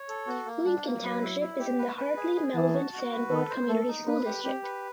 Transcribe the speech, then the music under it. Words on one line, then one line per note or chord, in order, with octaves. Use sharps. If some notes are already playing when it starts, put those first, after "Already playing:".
Lincoln Township is in the Hartley–Melvin–Sanborn Community School District.
Already playing: C#5
A4
B3 F#4
A#3
G3 D4
A#3
F#3 B4
E4
E4
G4
B4
B4
G#4
G#4
E3 A5
F#4
F#4
B4
D#3 A4
C5
A3 A4
D#4
A#3 B4
G4
C4 G4
B4